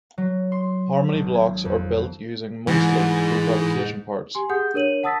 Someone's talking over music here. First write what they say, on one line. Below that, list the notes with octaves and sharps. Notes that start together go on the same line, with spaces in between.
Harmony blocks are built using mostly prefabrication parts.
F#3
C6
G#1
G#6
F2
G#2 E3
G4 G#5 C6
G4 G#4 F#5 D#6 G6
D4 A#4 C#5 D#7 F#7
F#5 A5 D#6 E6 A6 B6